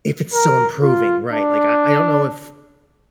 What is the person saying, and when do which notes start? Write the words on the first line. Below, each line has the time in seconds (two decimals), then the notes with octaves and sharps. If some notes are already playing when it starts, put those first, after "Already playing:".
if it's still improving, right. Like, I I don't know if
0.33 A#4
0.82 F4
1.33 D4